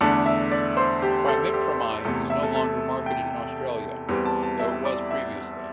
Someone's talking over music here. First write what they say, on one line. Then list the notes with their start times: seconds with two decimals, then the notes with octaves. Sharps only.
Trimipramine is no longer marketed in Australia, though it was previously.
0.01 E2 D3 A3 D4 A5
0.26 E5
0.51 D5
0.77 C5
1.02 G4
1.28 A4
1.54 G4
2.04 E2 C3 A3 A4
2.30 E5
2.43 A4
2.55 A4
3.06 G5
4.09 E2 E3 G3 C4
4.25 A5
4.43 A5
4.59 E5
4.85 D5
5.11 E5